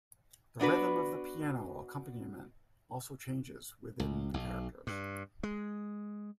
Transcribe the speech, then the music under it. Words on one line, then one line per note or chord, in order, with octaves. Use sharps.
The rhythm of the piano accompaniment also changes within the characters.
B3 D4 F#4 B4
C#2
B1
G2
G#3